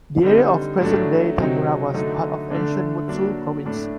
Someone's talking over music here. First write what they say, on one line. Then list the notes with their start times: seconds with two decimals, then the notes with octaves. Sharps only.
The area of present-day Tamura was part of ancient Mutsu Province.
0.23 D3 G3 C4 D#4
0.80 A2 F#3 A3 D4
1.38 C3 F#3 C4 D#4
1.94 D3 F#3 A3 D#4
2.51 D3 A3 D4
3.08 F#3 A#3 D4
3.65 A2 A3 D4